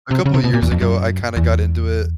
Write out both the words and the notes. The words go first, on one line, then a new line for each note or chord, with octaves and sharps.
a couple years ago, I kinda got into it
C3
C#3
C3
B2
A#2
E2
F2
F#2
E2